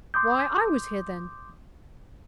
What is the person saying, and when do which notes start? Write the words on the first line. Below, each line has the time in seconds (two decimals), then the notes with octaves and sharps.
Why, I was here then.
0.14 C6 D6 D#6 G6